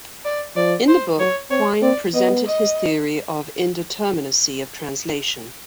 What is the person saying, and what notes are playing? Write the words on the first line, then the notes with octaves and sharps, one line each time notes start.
In the book Quine presented his theory of indeterminacy of translation.
D5
F3 D5
C5
F#3 C#5
C4 C#5
C4 D5
B3 D#5
D#5